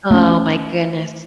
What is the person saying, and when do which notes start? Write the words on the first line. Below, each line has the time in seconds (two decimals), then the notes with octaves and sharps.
Oh my goodness.
0.11 A3 C#4